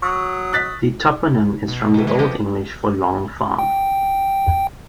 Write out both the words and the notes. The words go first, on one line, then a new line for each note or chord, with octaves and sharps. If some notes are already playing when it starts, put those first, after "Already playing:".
The toponym is from the Old English for "long farm".
F#3 C#6 D#6 E6
F#6 A6 B6
B2
D#3 E3
E3 G#3
F3 G4 D#5
G5